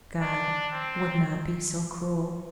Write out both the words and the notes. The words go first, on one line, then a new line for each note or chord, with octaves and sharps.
God would not be so cruel.
D4
C4